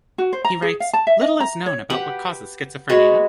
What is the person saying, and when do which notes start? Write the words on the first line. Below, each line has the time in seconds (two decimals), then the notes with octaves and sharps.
He writes, Little is known about what causes schizophrenia.
0.18 F#4
0.33 C5
0.45 A#5
0.62 G#4
0.80 F5
0.93 A5
1.07 E5
1.21 D#5
1.40 A#5
1.66 C#5
1.90 G4 B4 F#5
2.89 G#3 F#4 B4 C#5